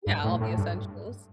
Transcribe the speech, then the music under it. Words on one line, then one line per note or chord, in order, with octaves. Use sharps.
Yeah, all the essentials.
G2
A2
A2
G2